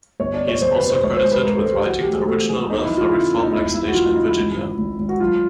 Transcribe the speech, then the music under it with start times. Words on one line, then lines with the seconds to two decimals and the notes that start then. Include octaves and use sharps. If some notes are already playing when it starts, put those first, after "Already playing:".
He is also credited with writing the original welfare reform legislation in Virginia.
0.20 G1 C#5
0.34 D5
0.41 C3
0.48 C#5
0.61 F2 C5
0.76 B4
0.82 C3
0.89 C5
1.03 G#1 C#5
1.17 C5
1.24 G#1
1.31 B4
1.45 G#2 A#4
1.58 A4
1.65 G#1
1.72 G4
1.86 E3 F#4
2.01 G4
2.07 A1
2.14 G#4
2.28 A1 A4
2.49 E3 G#4
2.69 E2 D#4
2.83 E4
2.90 E3
2.97 F4
3.11 C#3 E4
3.32 E2
3.43 D#4
3.53 E1 E4
3.74 E1 E4
3.87 F#4
3.94 E3 F4
4.05 D#4
4.15 C#3 E4
4.26 E4
4.37 G#1
4.57 G#1
4.78 G#1
4.99 G#1
5.09 F#4
5.19 F#3 F4